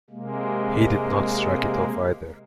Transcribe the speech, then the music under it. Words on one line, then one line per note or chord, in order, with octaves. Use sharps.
He did not strike it off, either.
C3 G#3 A#3